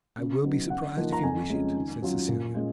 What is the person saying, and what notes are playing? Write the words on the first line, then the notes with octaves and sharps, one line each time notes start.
"I will be surprised if you wish it," said Cecilia.
C#3
F#3 B3 D#4
C#3 F#5
F3 A#3 D#4
A#5
F2 G#5
C#3 G#3 C#4 F4
D#3
F#3 C#4 F4
A#2
G#3 C#4 F4